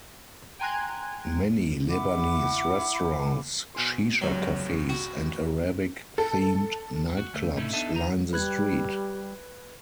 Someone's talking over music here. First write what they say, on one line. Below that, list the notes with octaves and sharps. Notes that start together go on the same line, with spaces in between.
Many Lebanese restaurants, "shisha" cafes and Arabic-themed nightclubs line the street.
G5 G#5 A#5 C6 F#6 G#6
E4 F#5 B5 D6
B2 G#5 C6
C#2 G2 F#3 C4
F#4
A4
F#4
D2 A3
A2 C3 A3 C#4 D#4 E4
B3 D4 D#4 A4 D#5 E5
D#2 D#3 A#5
G3 G4 B4 F#6 G#6